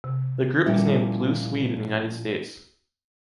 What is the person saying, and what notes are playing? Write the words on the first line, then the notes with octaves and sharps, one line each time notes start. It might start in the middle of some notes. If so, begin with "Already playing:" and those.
The group is named Blue Swede in the United States.
C3
A#2 F3 G3 A#3 C#4 E4